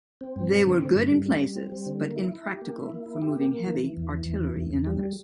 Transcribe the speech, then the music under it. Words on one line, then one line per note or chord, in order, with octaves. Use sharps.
They were good in places but impractical for moving heavy artillery in others.
C4
G2
C4
D3
D3
G2
G3
G3
G3
C4
G3
D3
A#3
E4
E4
G4
A#3
E4
A#3
E4
G4
A#3
A#3
E3
E3
E2
E3
E2
E3
E2
E2
G3